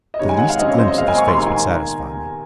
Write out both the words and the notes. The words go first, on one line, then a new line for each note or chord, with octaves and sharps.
The least glimpse of his face would satisfy me.
D#5
C3 D#3 G#3 C#5
G#5
F#5
F5
C#3 F#3 C4 D#5
C#5
C5
D#5
A#2 G#3 C4 F5
G#5
C#6
C6
C3 D#3 A#3 A#5
G#5